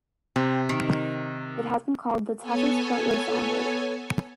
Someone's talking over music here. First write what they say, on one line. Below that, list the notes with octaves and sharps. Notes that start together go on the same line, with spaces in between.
It has been called the toughest foot race on Earth.
C3 C4
D#3
B3 A4 C#5 G#5